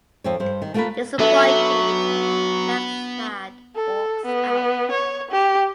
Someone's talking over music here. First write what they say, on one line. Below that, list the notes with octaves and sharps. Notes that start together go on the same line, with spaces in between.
Disappointed, Blacksad walks out.
F2 C4 C#5
G2 C5
D#3
A3 A#3 F4 G#4 A#4 B4
F#3 B3 D4 A4 B4 E5
A4
B3
C#5
G4